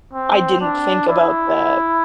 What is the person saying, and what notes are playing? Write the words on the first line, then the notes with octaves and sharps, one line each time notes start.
I didn't think about that.
C4
D4
E4